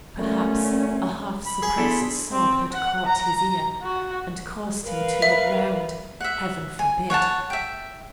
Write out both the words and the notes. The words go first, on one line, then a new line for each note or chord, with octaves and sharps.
Perhaps a half-suppressed sob had caught his ear, and caused him to look round--heaven forbid!
A#2 D3 A3 C#4
B5
G#4
B3 D4 E4 A4 C5 D5
C4
F#5
A#5
F#4
A#4 B4 F5
E5
E5 F#5
G#5
C#5 F#5 G5 A5
E5 G5